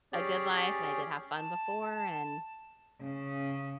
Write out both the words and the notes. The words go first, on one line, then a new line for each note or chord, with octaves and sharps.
a good life, and I did have fun before. And
C#4 G4 G#4 C#5 D5
A5
C#3